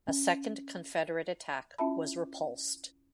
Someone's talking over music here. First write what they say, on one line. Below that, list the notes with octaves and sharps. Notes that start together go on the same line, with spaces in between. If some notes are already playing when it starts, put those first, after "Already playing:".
A second Confederate attack was repulsed.
C#4
C#4 E4 F4 E5 A5 B5